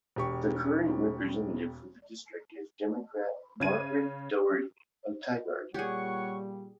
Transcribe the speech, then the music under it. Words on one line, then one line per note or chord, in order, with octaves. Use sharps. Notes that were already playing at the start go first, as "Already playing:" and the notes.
The current representative for the district is Democrat Margaret Doherty of Tigard.
E1 G4 C#6
C#3 G#6 D#7
A#2 G3 G4 G#4 C#5 F#5 C#6